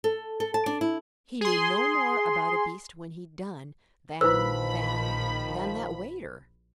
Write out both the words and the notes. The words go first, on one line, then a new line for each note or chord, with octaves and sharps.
He knew no more about a beast when he'd done, than--than--than that waiter.
A4
A4
A5
D4
E4
G#4 C6
A#1 D#3 F3 E4 B4 C5 B5 E6